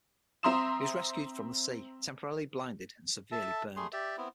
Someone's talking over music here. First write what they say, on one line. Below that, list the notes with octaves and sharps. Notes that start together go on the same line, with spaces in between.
He was rescued from the sea, temporarily blinded and severely burned.
C4 E5 A#5 C6 D#6 E7
A4 E5 A5
G3 A3 G#4 C6
G4 D5 E5
B3 C4 E4